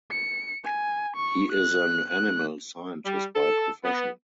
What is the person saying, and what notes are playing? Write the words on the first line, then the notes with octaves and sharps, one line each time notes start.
He is an animal scientist by profession.
C#7
G#5
C#6
F#6
F#6
G3
A4
B3